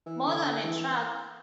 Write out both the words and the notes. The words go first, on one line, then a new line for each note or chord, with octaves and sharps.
More Than A Truck!
E3
D3
D3
E3